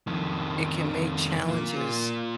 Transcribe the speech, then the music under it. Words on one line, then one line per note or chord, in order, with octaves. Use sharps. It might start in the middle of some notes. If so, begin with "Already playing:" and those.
it can make challenges
F2 D#3
A#3 F4